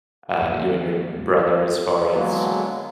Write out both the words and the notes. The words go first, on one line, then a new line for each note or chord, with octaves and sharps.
uh, you and your brother as far as
D#2
D3 F#3 G#3 A#3 B3